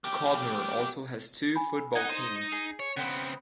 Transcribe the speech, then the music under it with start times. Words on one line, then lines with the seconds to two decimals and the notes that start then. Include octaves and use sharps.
Codnor also has two football teams.
0.04 A#3 G4
1.56 G#5 B5
1.95 B3 D#4 D#5 F#5 G#6
2.09 C5
2.52 G#4
2.80 C#5
2.96 C#3 B3 C4 G5 B5